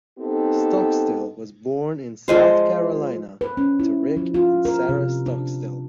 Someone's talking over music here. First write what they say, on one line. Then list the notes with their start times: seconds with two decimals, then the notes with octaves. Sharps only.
Stockstill was born in South Carolina to Rick and Sara Stockstill.
0.19 B3 C4 D#4 G4 A4
2.28 F3 G#3 C5
3.41 B4
3.57 C#4
3.79 E4
4.17 F3
4.34 F4
4.65 A#4
4.89 C3
5.26 D4